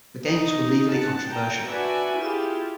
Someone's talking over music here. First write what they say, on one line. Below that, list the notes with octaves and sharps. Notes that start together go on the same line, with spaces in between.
The games were legally controversial.
D#4 D#5 A#5
F#5 A5
G5 A#5
D4 F#4 B4 D5 E5 G#5
E4 F4 G4 G#4